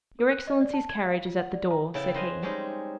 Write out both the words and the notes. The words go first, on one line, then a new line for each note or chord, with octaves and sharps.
"Your excellency's carriage is at the door," said he.
A#4
F#6
D#5
D5
A5
G#6
F5
F4
F#5
D5
A#5
C#3 B3 E4 A4 G5 A5
B4 C5 D#5 F5 G#5
G3 G#3 C4 C#4 D#4 G#4